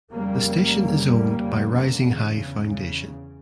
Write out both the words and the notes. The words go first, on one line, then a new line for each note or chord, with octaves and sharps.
The station is owned by Rising High Foundation.
F2 C#3 G3 A#3
F2 C#3
G3 A#3
F2 C#3
D3
E2 C#3
C#3
E2 C#3